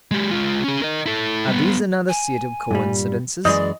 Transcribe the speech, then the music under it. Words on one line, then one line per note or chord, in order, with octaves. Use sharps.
Are these another set of coincidences?
G#3 G4
G#3 F4
C#4 G#4
A#4 D#5
E4 A4
G3 B3
G#5
G2 A#2 G3
F#2 E3 G#3 D5 D#5